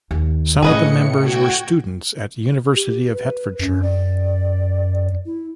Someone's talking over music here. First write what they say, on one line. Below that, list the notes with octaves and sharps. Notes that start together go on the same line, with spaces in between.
Some of the members were students at University of Hertfordshire.
D#2
A2 C#3 G#4 B4 D#5 C#7
F#4 G5 G#6
G4
B4
F#2 C#4
D5
E4